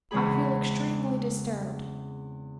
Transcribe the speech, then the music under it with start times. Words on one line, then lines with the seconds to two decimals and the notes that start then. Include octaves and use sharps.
I feel extremely disturbed.
0.11 E2 C#3 G#3 C4 G#4 B5